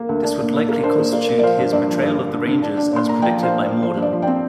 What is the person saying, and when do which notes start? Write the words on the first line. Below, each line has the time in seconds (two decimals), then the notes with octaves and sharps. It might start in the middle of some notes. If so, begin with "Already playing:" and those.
This would likely constitute his "Betrayal of the Rangers" as predicted by Morden.
Already playing: A#3
0.09 D2
0.23 D4
0.39 A#2
0.54 A#2
0.69 A#3
0.83 D4 C5
0.98 A#3
1.13 A#3 D5
1.28 A#2
1.38 D5
1.43 F3 C5 F5
1.58 G2
1.73 G2 D5
1.88 F3
2.03 G2
2.18 D3
2.33 D3
2.47 D3
2.62 D4
2.78 D4
2.93 A#2 C6
3.07 A#2 A#5
3.22 F3 D5 G5
3.37 F3
3.43 C5 F5
3.52 A#2
3.62 A#2 D5
3.82 F3 C5
3.97 G2
4.02 D5
4.13 F3
4.22 C4 D5 G5